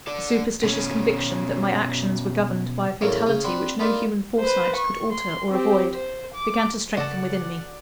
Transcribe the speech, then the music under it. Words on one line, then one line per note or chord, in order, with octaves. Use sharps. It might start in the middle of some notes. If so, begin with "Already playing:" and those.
A superstitious conviction that my actions were governed by a fatality which no human foresight could alter or avoid, began to strengthen within me.
A4 D5
B2 C#4
E2 A2 F#3 A3 A#3 C#4
C#3 C#4 D#6
C4 D4 B4 F#5
A#3 B3 D4 D#4 F4
B4 C5
C#6
C6
C4 G4
C5
D6
C#3 F#4 A4 D5 F#5